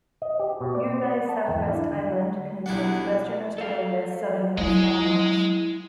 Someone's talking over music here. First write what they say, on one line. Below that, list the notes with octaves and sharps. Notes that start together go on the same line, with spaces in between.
Nearby "South West Island" contains Western Australia's southernmost landmass.
D#5
G4
B2
D5
A5 A#5
E2 G#2 G5
D4 E4 D5 F5
D3
B1 G3 D4 E4 F#5
A4 F5
F#3 G#3 E4 G#4 D#5